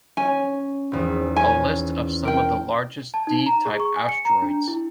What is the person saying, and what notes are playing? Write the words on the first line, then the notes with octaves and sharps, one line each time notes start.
A list of some of the largest D-type asteroids.
C#4 G#5
G#1 E2
C#4 G#5
A#4 G5
A5
D#4
A#5
G#4
C#6
G#5
C#7
A#5
D4
E4